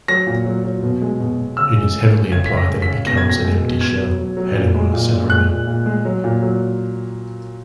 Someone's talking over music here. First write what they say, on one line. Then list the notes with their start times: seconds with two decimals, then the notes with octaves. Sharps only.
It is heavily implied that he becomes an empty shell, Haniwa Salaryman.
0.08 F#3 A#6
0.27 A#2
0.46 F#3
0.64 F#3
0.83 B2
1.02 G#3
1.20 B2
1.38 B2
1.57 C#3 E6
1.76 G#3
1.94 G#3
2.14 G#3
2.32 C#3 G#6
2.46 B6
2.51 C#3
2.57 A#6
2.69 G#3
2.82 B6
2.88 C#3
3.06 B2 A#6
3.17 G#6
3.25 B2 A#6
3.44 G#3
3.62 B2
3.81 B2 G#6
4.00 F#3
4.18 F#3
4.37 F#3
4.55 A#2
4.74 G#3
4.94 A#2
5.12 A#2
5.30 G#3 F#6
5.49 A#2
5.67 A#2
5.86 G#3
6.05 F#3
6.24 A#2
6.43 F#3